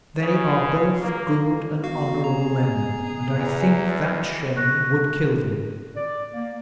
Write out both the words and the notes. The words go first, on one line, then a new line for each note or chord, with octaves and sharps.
They are both good and honourable men, and I think that shame would kill them.
C#3
A#3
B3 F#4 F5
G#4 A#5
E2
C#6 F#6 A#6
D5
A#3